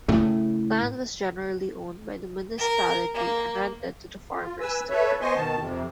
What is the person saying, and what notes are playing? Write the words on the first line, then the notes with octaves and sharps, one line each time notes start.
Land was generally owned by the municipality and rented to the farmers to work.
A2 C#3 A3
A#4
A#3
F4
B4 G#5 E6
A4 B4 C#5 E5
B3 C5 D#5 G#5 C6 C#6
B2 D#3 A5
F2 C3